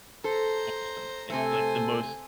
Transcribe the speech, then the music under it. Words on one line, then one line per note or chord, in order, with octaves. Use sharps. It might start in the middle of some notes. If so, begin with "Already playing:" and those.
awesome. It's, like, the most
A4 C5 A#5
C3 A3 A4 C5 G#5